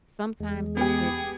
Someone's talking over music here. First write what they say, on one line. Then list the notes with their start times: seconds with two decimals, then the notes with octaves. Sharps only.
sometimes it's just
0.40 E2 G#3
0.77 B3 G4 G#4